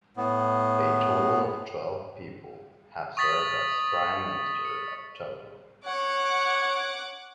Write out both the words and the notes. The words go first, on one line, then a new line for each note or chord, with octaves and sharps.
A total of twelve people have served as Prime Minister of Togo.
A2 B3
C#6 D#6 A6 B6 F#7
C#7
C#5 F#5 D6